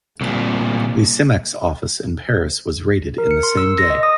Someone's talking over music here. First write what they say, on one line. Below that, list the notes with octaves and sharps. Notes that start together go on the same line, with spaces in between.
The Simex office in Paris was raided in the same day.
C2 A#2
A#4
C#7
C6
E6
A#6
D#5
D#6